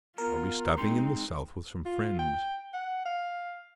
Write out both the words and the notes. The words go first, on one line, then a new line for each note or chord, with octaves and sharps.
I'll be stopping in the south with some friends.
B3 F4 A#4
G#3 C4 D#4 C6
F4
G5
F#5
F5